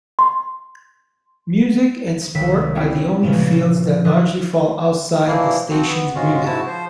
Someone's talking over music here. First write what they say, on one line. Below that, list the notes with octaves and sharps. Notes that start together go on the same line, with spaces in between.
Music and sport are the only fields that largely fall outside the station's remit.
C6
C#2 C3 D#3 E6 B6
C4 C#4 E4 G4 G#4 C#5
A#2 C#3 E3 F3
E3 F3 D#6 F#6 A#6
A#2 E3 F3 A#3 E4
F3 C4 F#4
B3
G#2 G#3 C#4 F4 F#4
G#2 C#3 E4 F#4 A5
F3 C5